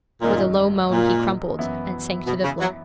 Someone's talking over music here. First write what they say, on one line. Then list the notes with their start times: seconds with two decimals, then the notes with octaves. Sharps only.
With a low moan he crumpled and sank to the floor.
0.21 G#1 F#2 A#2 D#3 G#3 D#4
0.90 A#2
1.58 F#2 E3 B3 E4
2.26 B2
2.44 C#3
2.60 F#3